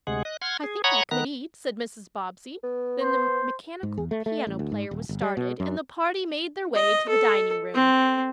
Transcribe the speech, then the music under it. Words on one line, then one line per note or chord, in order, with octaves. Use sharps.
"I think I could eat," said Mrs. Bobbsey, then the mechanical piano player was started, and the party made their way to the dining room.
D2 C3 G#3 G#4 F#5
D#5 F#6
F#5 C6 F6 G#6
G#4
C#5 F#5 A#5 B5 C#6 D#6
D#3 B3 A#5 F#6
B3
C5
G#2
E2
A3
A3
A1
D2
G#2
D#1
G1
G3
B2
F#2
D#5
A4
C4